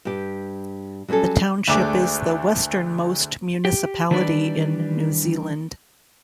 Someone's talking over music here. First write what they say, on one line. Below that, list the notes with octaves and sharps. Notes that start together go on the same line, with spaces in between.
The township is the westernmost municipality in New Zealand.
G2 G4
F#3 G3 B3 C#4 A4
D2 G#3 A3 D4 D6
G4
D#3 E3 G3 D4 B4 D5